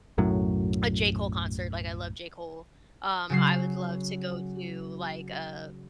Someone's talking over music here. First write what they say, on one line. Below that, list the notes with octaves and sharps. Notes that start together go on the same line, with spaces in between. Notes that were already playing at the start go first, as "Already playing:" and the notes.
a J. Cole concert, like, I love J. Cole, um, I would love to go to like a
B1 F#2 A2 F#3
C#3 F#3 C7